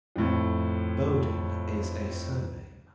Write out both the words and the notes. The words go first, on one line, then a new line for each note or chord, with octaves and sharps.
Bodin is a surname.
F2 A2